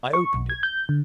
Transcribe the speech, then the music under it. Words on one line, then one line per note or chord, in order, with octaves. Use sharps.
I opened it.
C#6
B1
G#6
G6
D3